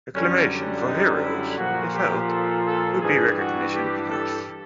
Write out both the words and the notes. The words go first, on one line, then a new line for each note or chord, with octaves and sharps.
Acclamation for heroes, they felt, would be recognition enough.
F#2 D3 G3 C#4
D#4
E4
A#2 F3 F#4
G4
A4
A4
G2 E3 G3 G#4
F#4
G4
A4